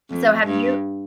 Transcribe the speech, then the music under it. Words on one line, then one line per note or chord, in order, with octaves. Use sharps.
So have you
F2
G2